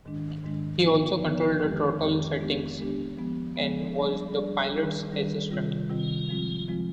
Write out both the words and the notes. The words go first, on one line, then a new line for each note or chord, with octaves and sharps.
He also controlled the throttle settings and was the pilot's "assistant".
G#2 D#3 G#3 D4
G#2 D#3 G#3 D4
D3 F3 B3 D#4
D3 F3 B3 D#4
F2 D#3 G#3 C4 G4
F2 D#3 G#3 C4 G4
G#3 B3 D4 G4
G#3 B3 D4 G4
F3 G#3 B3
F3 G#3 B3
G3 D4 G#4 D5
G3 D4 G#4 D5
D#3 G3 D4 G#4 B4
D#3 G3 D4 G#4 B4
C3 D#3 G3 C4 F4
C3 D#3 G3 C4 F4
F3 G#3 C4 F4
F3 G#3 C4 F4